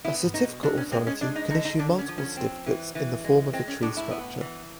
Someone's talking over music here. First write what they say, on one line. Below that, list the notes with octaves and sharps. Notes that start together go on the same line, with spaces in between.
A certificate authority can issue multiple certificates in the form of a tree structure.
B3 E4
B2 D#4
B2 D4
C#4
G#3 C4
C#4
G#3 D4
D#4
D3 D#4
D#4
D3 D4
C#4
F3
C#4
C4
E3
E3
G#3
G#3 C4
C#4
A2 D4
E4
B3
E3